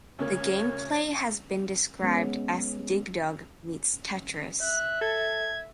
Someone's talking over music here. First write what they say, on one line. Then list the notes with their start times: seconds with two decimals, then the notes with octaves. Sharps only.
The gameplay has been described as Dig Dug meets Tetris.
0.19 D2 C#3 A#3 C#5
2.02 G#3 B3 C#4
4.61 E5 F#6
5.01 A4 G#6